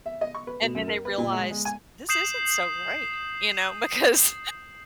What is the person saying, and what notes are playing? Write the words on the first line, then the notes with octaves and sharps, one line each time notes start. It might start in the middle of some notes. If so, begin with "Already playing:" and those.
and then they realized, "This isn't so great," you know, because
E5
D#5
C#6
B4
B2
F#2
A#4
B4
A#2
G#3
G#3
G#5
D#6 G6 C7 E7 F#7